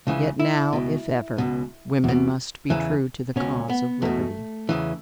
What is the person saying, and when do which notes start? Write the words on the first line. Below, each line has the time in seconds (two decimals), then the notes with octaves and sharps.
Yet now, if ever, women must be true to the cause of liberty.
0.07 C#2 C#3 E3
0.39 E4
0.73 C#2 B2
1.38 C#2 B2
2.04 E2 B2
2.70 E2 C#3 E3
3.36 C#2 B2 C#4
3.69 B3
4.02 E2 B2 A3
4.69 E2 C#3 E3